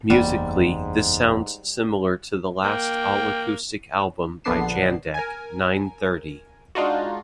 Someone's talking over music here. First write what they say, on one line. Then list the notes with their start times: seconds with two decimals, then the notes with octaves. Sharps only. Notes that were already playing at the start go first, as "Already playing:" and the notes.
Musically, this sounds similar to the last all-acoustic album by Jandek, "Nine-Thirty".
0.10 F#1 E2 G#2 G3 A#3
2.64 A#3 G5
4.44 A#1 D3 B3 D4 C7 E7
5.14 A#4 G#5
6.75 G#3 D4 D#4 F4 F#4